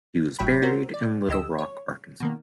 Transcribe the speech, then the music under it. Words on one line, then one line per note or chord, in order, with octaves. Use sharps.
He was buried in Little Rock, Arkansas.
G1 A2 F#3 C#5 G5 B5
C4 C#4 F#4 A#4 C5
D5
D2 G4 D#5 E6
C#5
B2 D#3 A#3